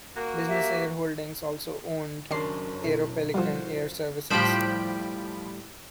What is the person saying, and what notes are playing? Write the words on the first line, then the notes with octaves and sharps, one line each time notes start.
Business Air Holdings also owned Aeropelican Air Services.
A#3 F#4
G4 E5
F#1 F#2 D#3 D4 C6 D6 C7
B2 E4 A4
F3 G3 F4 F#4 C5
A2 F3 G3 G4 C5 B5 D7